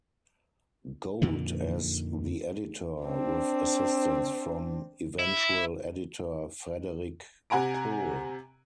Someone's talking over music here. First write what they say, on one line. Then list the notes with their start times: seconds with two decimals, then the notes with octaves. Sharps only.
Gold as the editor, with assistance from eventual editor Frederik Pohl.
1.22 F2 A#2 D3 D#3
3.03 C4 D4
5.19 E4
7.50 C3 F#5 G#5 A#5 D7